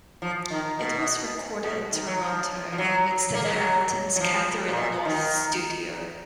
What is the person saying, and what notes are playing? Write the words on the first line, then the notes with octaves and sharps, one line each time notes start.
It was recorded in Toronto and mixed at Hamilton's Catherine North Studio.
F3
D#3
B2
B2
D#3
F#3
F3
F3
F#3
A#3
G#3
F#3
F#3
F3
A#2
B2
D#3